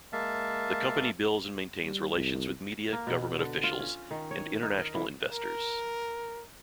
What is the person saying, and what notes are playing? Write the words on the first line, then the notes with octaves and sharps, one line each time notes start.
The company builds and maintains relations with media, government officials and international investors.
G#3 A#3 E5 F5 A5
G3
C2
A#3
B2
D3
F4
C#4
D#3
C#5
D#4
A#4
E3
A#4